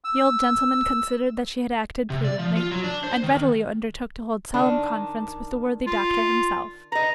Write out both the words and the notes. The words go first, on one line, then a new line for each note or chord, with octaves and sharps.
The old gentleman considered that she had acted prudently, and readily undertook to hold solemn conference with the worthy doctor himself.
E6
C3
D5
F3
F4
F#3
D4
C5
D#3
D#3 D4
F4
B4 D#5 A#5